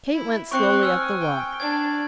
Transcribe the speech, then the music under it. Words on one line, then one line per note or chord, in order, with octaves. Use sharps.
Kate went slowly up the walk.
E4
C4 C5 C#6 F#6 C#7
G#5 E6 F6
G5
D4 G#6